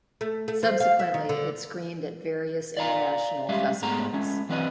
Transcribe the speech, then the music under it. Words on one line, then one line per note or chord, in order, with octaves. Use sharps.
Subsequently, it screened at various international festivals.
A3
A3
F3
F5
E5
D#3
D3
D5 F5 A#5
G3 G#3 C#4 G4 E5 F5
G#2 A3 B3 G#4 A#5
G#3 A3 C#4
E3 F#3 C4 B4 D5 D#5